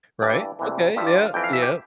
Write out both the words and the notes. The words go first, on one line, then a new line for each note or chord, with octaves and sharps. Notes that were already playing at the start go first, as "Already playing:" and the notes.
Right. Okay, yep, yep.
G2 E3 D5
C2 C3 E3
G2 F3 E5
D5
F5
F2 E3 G5
F5
E5
G4